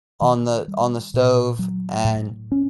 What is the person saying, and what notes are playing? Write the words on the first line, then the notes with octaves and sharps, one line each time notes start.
on the on the stove and
D#3
G3
A#2
F#3
A2
C#4